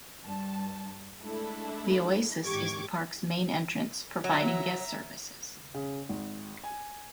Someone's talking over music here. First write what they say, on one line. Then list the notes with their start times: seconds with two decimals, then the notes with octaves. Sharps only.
The Oasis is the park's main entrance, providing guest services.
0.24 G2 A5
1.21 G#3 A3 D4 E4 A4
2.45 G#1 G4 C#6 D6 G#6
4.24 F#3 E5 A#5
5.74 C#3
6.09 G#1
6.64 G#5